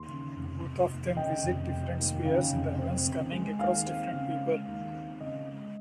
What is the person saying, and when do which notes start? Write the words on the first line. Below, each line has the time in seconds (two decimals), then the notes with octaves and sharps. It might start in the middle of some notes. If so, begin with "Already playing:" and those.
Both of them visit different spheres in the heavens coming across different people.
Already playing: D#2 C6
0.08 C#3
0.36 F1
0.63 F1
0.90 D#2
1.17 C#3 D#5 G5
1.43 F1
1.71 F1
1.98 D#2
2.25 C#3
2.52 F1
2.78 C4
3.06 C#3
3.32 G#3
3.59 D#2 F5
3.86 C4
4.13 C#3
4.40 G#3
4.67 D#2
4.93 C4
5.21 C#3 D#5
5.48 G#3